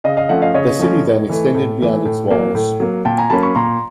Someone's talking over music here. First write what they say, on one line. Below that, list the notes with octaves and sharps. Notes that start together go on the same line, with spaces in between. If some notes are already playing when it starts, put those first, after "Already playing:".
The city then extended beyond its walls.
C#3 D#5 F5
D#5 F5
F3 A3 C#4 E5 F#5
D#5 F5
C#3 C#5 D#5
F3 A3 C#4
A2
E3 A3
A2
E3 A3
A2
F#3 A#3
A2
F#3 A#3
A#2 G5 A5
G#5 A#5
F#3 A#3 C#4 A5 B5
B5 C#6
A#2 A#5 C6